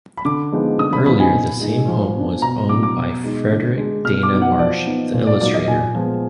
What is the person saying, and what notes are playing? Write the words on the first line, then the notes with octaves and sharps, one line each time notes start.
Earlier, the same home was owned by Frederic Dana Marsh, the illustrator.
B5
D3 D6
F3 G#3 B3 D#4
D3 D#6
B5
F3 B3 D#4 B5
G#5
A#2
G#3 D#4
F3
B3 D4
B2 A#5
F#3 D4 D6
D6
B2
G#3 D#4
D3
G#3 D4
B2 F6
D6
F#3 B3 D#4
F#5
F3 D5
B3 D#4
A#2
D5
F#3 A#3 D#4 D5
D#5
A#2 G#5
F3 G#3 B3